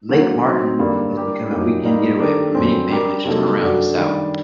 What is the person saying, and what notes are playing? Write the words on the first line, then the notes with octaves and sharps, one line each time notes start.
Lake Martin has become a weekend getaway for many families from around the South.
D3 F#3 A#3 F#4 A#4
F#3 C4 D#4
G2 D3 G3 A#3
G3 D4 G4 A#4
F#2 F#3 A#3 D#4 G4
A#2 G3 A#3 D#4
D#3 A3 D4 G4 A#4
F#2 D3 G3 C4
G3 D4 G4 A#4
C3 F#3 A#3 D#4 A4
F#2 F#3 A3 D4 F#4
D#3 G3 D4